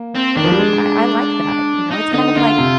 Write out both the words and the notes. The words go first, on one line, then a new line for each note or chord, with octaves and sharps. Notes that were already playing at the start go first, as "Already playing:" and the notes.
and I I like that, you know? It's kind of like
Already playing: A#3
C4
D#3 D4
F3
G3
G#3
D#4
D3 D#4
D3 F4
C3